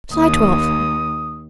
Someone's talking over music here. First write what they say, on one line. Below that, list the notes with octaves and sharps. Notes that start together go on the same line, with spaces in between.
July Twelfth.
D#2 D#6